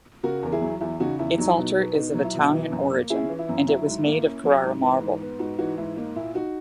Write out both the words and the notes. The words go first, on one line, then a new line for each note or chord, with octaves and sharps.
Its altar is of Italian origin, and it was made of Carrara marble.
C#3 F#4 A#4
E2 A#4
E4 G#4
F#3
E2 E4
C#3 D#4 F#4
E2 E4
F#3 D#4
E4
B2 D#4
B3
B2 D#4
F#3
E4
B2
E3
F#2
A#3
C#4 E4 G#4
E3
E4
F#2
F#3 E4
G#2
A#3
C#4
F#3
G#2
E3
G#2
B3
G#2 D#4 F#4
E3 D#4 F#4
G#2 E4
A#3 D#4
A#2 E4
D#4 F#4